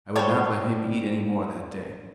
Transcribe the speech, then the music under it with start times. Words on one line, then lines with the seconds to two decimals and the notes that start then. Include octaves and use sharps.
I would not let him eat any more that day.
0.16 G3 A4 C5 C#5